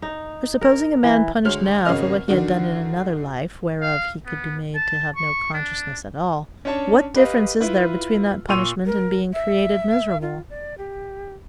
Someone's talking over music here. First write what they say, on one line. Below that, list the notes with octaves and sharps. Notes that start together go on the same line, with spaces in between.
For, supposing a MAN punished now for what he had done in another life, whereof he could be made to have no consciousness at all, what difference is there between that punishment and being CREATED miserable?
D#4
A#4
E3
D2 G#3 C#5 F6
G#1 C#3 C#4 F#4 D#5 F6
D3 D#3 D4 F#4
F5
B3
A5
C#6
D4
C#4 D4 C#5 A5
G4 B4 D#5 F5
E4 F4 B4
A#2 C6 C#6 E6 D#7 F7
A#4
E5
F4
D5
G4